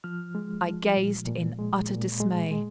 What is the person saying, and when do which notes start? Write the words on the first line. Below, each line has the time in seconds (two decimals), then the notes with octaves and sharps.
I gazed in utter dismay.
0.04 F3 F6
0.35 G#3
0.66 F3
0.96 A#2
1.27 A#2
1.58 G#3
1.90 A#2
2.20 G#3
2.51 G#3